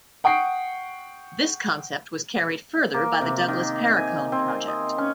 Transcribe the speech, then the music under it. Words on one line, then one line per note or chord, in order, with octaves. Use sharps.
This concept was carried further by the Douglas Paracone project.
F#5 G5 C#6 D#6 C7 D7
A#3
C3
D#3
G#5
C4
D#5
C#4